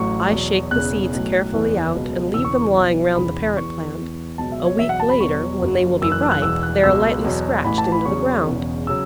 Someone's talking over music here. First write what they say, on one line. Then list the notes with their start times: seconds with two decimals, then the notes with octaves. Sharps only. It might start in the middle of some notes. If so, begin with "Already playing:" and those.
I shake the seeds carefully out, and leave them lying round the parent-plant; a week later, when they will be ripe, they are lightly scratched into the ground.
Already playing: A1 A2 F#3 C#6
0.30 E2 B2 F#3
0.71 E1 E2 C#3 F#6
1.12 B1 A2 F#3
1.52 F#1 E2 E3
1.93 C#2 B2 F#3
2.34 E1 E2 C#3 E3 E6
2.45 C#6
2.55 C#6
2.74 B1 B2 F#3
3.15 E1 E2 C#3 E3 B5
3.57 E2 E3 C#6
3.97 E2 E3
4.38 C#2 B2 F#3 A5
4.52 E5
4.65 C#5
4.79 E1 E2 B2 F#3 E5
4.89 F#5
5.00 A5
5.10 B5
5.20 E2 B2 F#3 C#6
5.61 F#1 F#2 F#3
6.01 F#1 F#2 E3 E6
6.12 F#6
6.22 E6
6.32 F#6
6.42 E1 E2 E3 E6
6.63 F#6
6.83 C#2 B2 F#3 E6
7.24 E2 B2 F#3
7.64 A1 A2 E3 B5
7.78 A5
7.92 B5
8.05 E2 C#3 F#3 C#6
8.47 E1 E2 C#3
8.87 C#3 F#3 E6